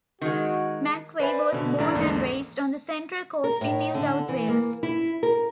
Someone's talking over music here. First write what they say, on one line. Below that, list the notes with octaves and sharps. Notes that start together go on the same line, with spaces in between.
McVeigh was born and raised on the Central Coast in New South Wales.
D#3 G#3 F#4
B4 C5 D5 E5 G#5 B5
B2 D3
A1 A3 D4 E4 D5 A#5
A#1 E2 G#2 D3 A#3
A#4
A2
D3
E3
A#3
E4
A#4